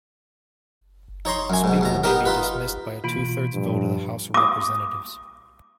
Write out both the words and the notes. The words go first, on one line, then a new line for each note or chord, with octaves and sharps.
The Speaker may be dismissed by a two-thirds vote of the House of Representatives.
D#4 C#5 A#5 C6
F#2 G#5
G#2 B2
D#2 B2 A#5
B3 D#4 G4 A#4
D#4 F4 B4
B2 E3 A#3 F4 B5 D7
G2 A#2 F3
D6 D#6